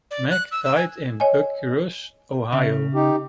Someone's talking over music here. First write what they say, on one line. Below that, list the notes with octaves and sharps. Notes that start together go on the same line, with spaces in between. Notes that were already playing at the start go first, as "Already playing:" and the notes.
Mack died in Bucyrus, Ohio.
D5
F#6
E6
E6
G#5
C#5 D#5 G#5
C#3 E5
D#4 G4